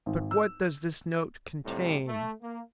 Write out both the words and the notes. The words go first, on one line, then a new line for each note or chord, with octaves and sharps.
"But what does this note contain?"
G#1
E6
F2 A2 C3 G3
A3
A#3